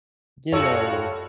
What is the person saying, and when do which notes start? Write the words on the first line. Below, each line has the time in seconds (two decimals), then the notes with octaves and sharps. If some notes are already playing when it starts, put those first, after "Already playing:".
you know
0.53 F#2 A2 G3 F4 F#4 A4 C#5 E6